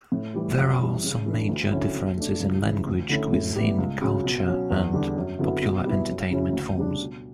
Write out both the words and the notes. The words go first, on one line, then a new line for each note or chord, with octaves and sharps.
There are also major differences in language, cuisine, culture, and popular entertainment forms.
A2
E3 G3
F#2
E3 G3
C#3
E3 A3 D4
D2
D3 F#3 C#4 E4
B2
A3 D4
C#2
C#3 E3
D2
D3 A3 C#4 E4
A2
G3 B3 E4
C#2
C#3 F#3 C#4
B2
F#3 C#4
E2
D3 G3 D4
F#2
D3 F#3 B3 E4
B2
G3 B3 E4
F#2
C#3 F#3 C#4 E4
D2
C#3 G3 D4
B2